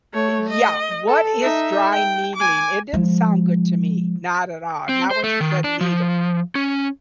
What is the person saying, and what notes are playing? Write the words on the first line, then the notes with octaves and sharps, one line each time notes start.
Yeah. What is dry needling, it didn't sound good to me. Not at all, not when she said needles,
A3 C#5
D#5
A4
D#4 E5
G5
G#5 D6
F3 G#3
C4
C5
A3
D#3
D4
F3
C#4